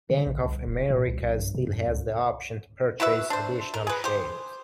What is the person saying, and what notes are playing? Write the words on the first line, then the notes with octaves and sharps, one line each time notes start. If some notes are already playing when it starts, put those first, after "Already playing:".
Bank of America still has the option to purchase additional shares.
D3
A#1
C2
D#1
A#2
C2
B1
G2
C3
F#2
C#2
E4 F#4 B4 E5
D4 C5
A#4
G#4 B4
G4 C5